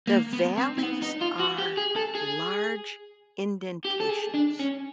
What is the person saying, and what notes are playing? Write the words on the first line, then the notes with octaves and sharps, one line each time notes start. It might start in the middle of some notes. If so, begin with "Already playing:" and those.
the valleys are large indentations.
A#3
B3
C4
C4
B3
D#4
F4
F#4
G4
G#4
A4
G#4
G4
A4
G#4
D4
C#4